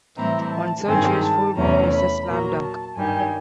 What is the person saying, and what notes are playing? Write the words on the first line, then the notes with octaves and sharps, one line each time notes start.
One such useful move is the slam-dunk.
A2 E3 G3 C4 E4 A#5
A5
G2 D#3 G#3 C4 G#5
A5
E2 C3 E3 A3 C#4 A#5
B5
A#2 F#3 A#3 A#5
A5
G2 D#3 G3 G#5